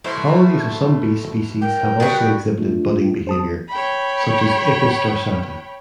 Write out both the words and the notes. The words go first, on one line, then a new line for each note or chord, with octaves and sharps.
Colonies of some bee species have also exhibited budding behavior, such as "Apis dorsata".
B2 A3 E4 C5
A#4 G5
G3 B3 F#4 G#4
A3 D4 F4
G#4 C5 A5 D#6
C#5 G5 B5